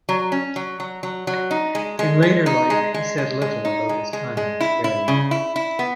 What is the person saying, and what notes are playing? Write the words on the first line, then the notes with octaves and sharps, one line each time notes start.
In later life he said little about his time in Australia.
F#3
C#4
F#3
F#3
F#3
F#3
D#4
G#3
G#3
G#3
D#4
G#3
G#3
G#3
G#3
D#4
G#3
G#3
G#3
E4
E4
C#3
E4
E4
B3